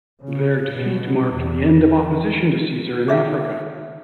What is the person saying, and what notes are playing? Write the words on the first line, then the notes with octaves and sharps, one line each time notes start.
Their defeat marked the end of opposition to Caesar in Africa.
C#3
B2
E2
E3
G#4 E5 F5